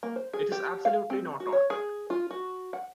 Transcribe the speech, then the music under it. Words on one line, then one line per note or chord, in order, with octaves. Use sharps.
It is absolutely not on.
A#3
C5
G#4
G4
F5
C4
F#4
C#5
G#4
F4
F#4
F#5